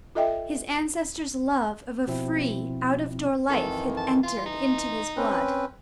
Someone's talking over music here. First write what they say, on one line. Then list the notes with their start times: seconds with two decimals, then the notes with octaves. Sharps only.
His ancestors' love of a free, out-of-door life had entered into his blood.
0.15 F4 A4 D#5 E5 G5
2.07 B2 F3 C4 E4
3.49 F2 D#3 E3 A4
3.97 A5
4.23 E3 F4 C6
4.46 D#4
5.16 C4 C#4 B4